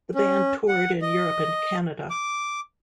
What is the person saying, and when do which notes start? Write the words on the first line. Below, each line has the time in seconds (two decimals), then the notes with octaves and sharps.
The band toured in Europe and Canada.
0.15 C#4
0.68 F#5
1.02 D#5
2.10 D6